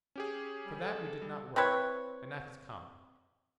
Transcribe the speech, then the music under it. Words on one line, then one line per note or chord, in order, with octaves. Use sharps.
For that we did not work, and that has come.
C#4 G4 G#4
G3
A4
G3
C4 E4 B4 C#5